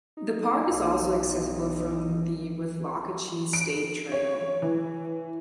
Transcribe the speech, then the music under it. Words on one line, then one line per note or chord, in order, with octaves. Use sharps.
The park is also accessible from the Withlacoochee State Trail.
D#4
B1
D7
C#5
E3